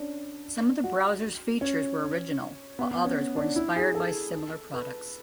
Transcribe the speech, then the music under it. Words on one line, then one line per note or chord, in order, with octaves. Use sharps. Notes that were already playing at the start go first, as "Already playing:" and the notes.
Some of the browser's features were original, while others were inspired by similar products.
Already playing: C#4 D4
F#4
C#4
B3
B3
C#4
D4
E4
G#4
A4
B4